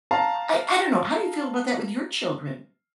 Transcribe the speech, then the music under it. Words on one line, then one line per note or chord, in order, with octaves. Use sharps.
I I don't know. How do you feel about that with your children?
F5 A5 A#5